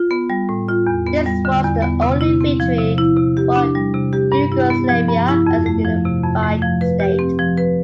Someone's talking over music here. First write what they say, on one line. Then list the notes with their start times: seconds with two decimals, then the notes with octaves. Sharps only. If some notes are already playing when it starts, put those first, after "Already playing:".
This was the only victory for Yugoslavia as a unified state.
Already playing: F4
0.11 B3
0.30 G3
0.49 A2
0.68 F4
0.87 E2
1.06 B3
1.26 G3
1.45 D3
1.64 E2
1.82 B3
2.02 C3
2.21 E4
2.41 C4
2.60 F3
2.78 C3
2.98 E4
3.17 C3
3.37 G4
3.56 D4
3.75 G3
3.94 C3
4.13 G4
4.32 G2
4.52 E4
4.70 B3
4.89 F3
5.08 G2
5.28 E4
5.47 F2
5.66 A3
5.85 F3
6.05 C3
6.24 F2
6.43 A3
6.62 F3
6.81 B4
7.00 G4
7.19 C4
7.39 F3
7.57 B4